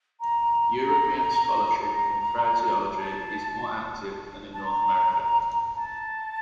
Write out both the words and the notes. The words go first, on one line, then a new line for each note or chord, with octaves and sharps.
European scholarship in phraseology is more active than in North America.
A#5
A#5
A5
A#5
A5
A5
A#5
A5